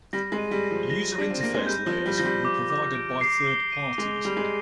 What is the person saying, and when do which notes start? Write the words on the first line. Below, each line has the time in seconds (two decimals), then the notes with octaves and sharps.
User interface layers were provided by third parties.
0.13 G3 A#6
0.32 G#3
0.38 D#7
0.51 G3
0.65 A#6
0.71 F3
0.90 A#6
1.16 D4 A#6
1.30 C4
1.41 A#3 A#6
1.54 G#3
1.67 G3 G6
1.86 F3
1.93 G7
2.06 G3
2.18 F3 A#6
2.25 G3
2.45 D6
2.70 D6
2.95 D7
3.21 C7
3.47 G7
3.72 D#7
3.98 G#3 F7
4.24 G3 F7
4.37 G#3